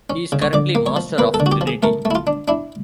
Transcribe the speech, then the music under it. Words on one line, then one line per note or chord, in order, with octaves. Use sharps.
He is currently Master of Trinity.
C#4
C#3
C#5
D3 D5
A#3
C#5
F3
A#3 B4
A4
D3
F#4
G4
F3
G#4
A3 A#4
A3
E4
F4
D4
D4 E4